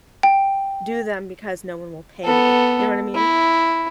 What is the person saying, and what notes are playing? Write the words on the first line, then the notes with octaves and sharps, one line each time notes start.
do them because no one will pay me. You know what I mean?
G5
B3 A4
E4